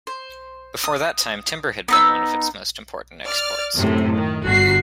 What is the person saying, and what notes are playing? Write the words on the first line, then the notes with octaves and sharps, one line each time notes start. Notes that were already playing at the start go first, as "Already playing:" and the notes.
Before that time, timber had been one of its most important exports.
C5
D#6
B3 D#4 E6
D5 F6
F#2 A2 C3
D#3
G1 F#4 C7